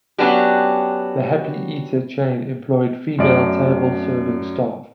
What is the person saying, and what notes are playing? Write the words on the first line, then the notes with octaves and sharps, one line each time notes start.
The Happy Eater chain employed female table serving staff.
F#3 B3 C#4 D4 F#4 G4
F#2 A3 F#4 D5 D7